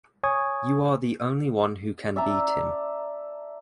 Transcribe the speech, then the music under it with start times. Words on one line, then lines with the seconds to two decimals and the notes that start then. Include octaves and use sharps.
You are the only one who can beat him.
0.23 C#5 G#5 C#6 D#6 G#6
2.16 D5 E5 A5 A#5